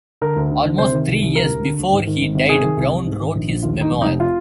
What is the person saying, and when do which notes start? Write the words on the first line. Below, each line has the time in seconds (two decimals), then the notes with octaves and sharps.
Almost three years before he died, Brown wrote his memoir.
0.22 D3 A#4
0.36 D2
0.51 D3
0.65 D2
0.78 C3 C5
0.93 D#3
1.08 C2
1.22 C2
1.35 D3 A#4
1.49 D2
1.65 D3
1.79 D2
1.93 G#2
2.07 D#3
2.21 G#1
2.35 G#1
2.49 C3 G#4
2.64 D#3
2.77 C2
2.91 C2
3.06 G#2
3.20 D#3
3.35 A#1
3.49 A#1
3.63 D#2 F4
3.77 D#3 D#4
3.91 F1
4.01 D#4
4.06 F1
4.20 F4